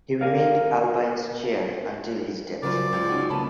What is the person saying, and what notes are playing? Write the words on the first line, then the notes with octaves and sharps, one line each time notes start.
He remained Albion's chair until his death.
G#4 A#4 D5 F5
C#3 F#3 F4 A#4 C5 D5
C#2
C#4 D#4 F#4
C#3 A#3 B3 A5 B5